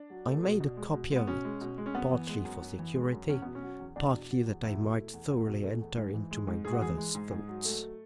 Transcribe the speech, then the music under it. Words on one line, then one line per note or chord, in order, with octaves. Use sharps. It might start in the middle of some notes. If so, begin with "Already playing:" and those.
"I made a copy of it,--partly for security, partly that I might thoroughly enter into my brother's thoughts."
Already playing: D4
F#3
A3
B2
B2
G#3
B2
G#3
B3
B2 C#4
G#3
B2
G#3
C#4
F#2 B3
E3
G#3
F#2
F#2
E3
G#3
F#2
E2 C#4
B2 B3
C#4
F#3
E2
E2 D4
B2
F#3
E2
E2 E4
B2
A3
E2
E2
B2
A3
E2
G#2
E3
G#3
G#2
G#2 G#4
F#4
E3 G#4
G#3
G#2
G#2
F#3
A3